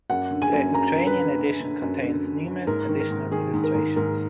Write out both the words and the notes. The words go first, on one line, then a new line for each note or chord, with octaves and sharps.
The Ukrainian edition contains numerous additional illustrations.
F#2 F#5
D3
G#5
F#2
F#2 A#5
D3
B4
D3
D3
D3
F#2
D3
D3
D3
G#2 A#4
D#3
A#4
G#2
D#3 G#4
G#2
A#4
G#2
G#2 A#4